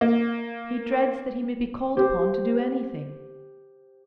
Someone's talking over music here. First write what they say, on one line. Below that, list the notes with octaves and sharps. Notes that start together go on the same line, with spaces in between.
He dreads that he may be called upon to do anything.
A#3
G4 C5